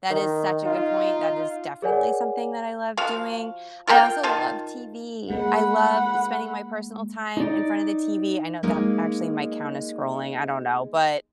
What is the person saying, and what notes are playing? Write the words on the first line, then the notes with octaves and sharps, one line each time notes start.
That is such a good point, that is definitely something that I love doing. I also love TV, I love spending my personal time in front of the TV I know that actually might count as scrolling, I don't know, but
D#3
D#4 F4
G#4 A#4 C#5 D5 F#5 G#5
F3 F#4 F5
F4 A#4 F5 G5
D#3 F4 A5
G#3 A#3 F#5 B5
D#4 D5
G#3 A#3 D#4